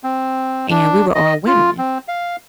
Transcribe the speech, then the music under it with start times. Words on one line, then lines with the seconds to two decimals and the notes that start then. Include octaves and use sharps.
and we were all women,
0.04 C4
0.71 D4
1.15 D#5
1.47 F4
1.78 C4
2.08 F5